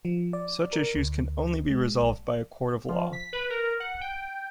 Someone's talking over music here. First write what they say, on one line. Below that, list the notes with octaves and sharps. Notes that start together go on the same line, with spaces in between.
Such issues can only be resolved by a court of law.
F3
D5
A#4
D2
G#3
A#1
F3
B6
B4
A#4
F#5
G5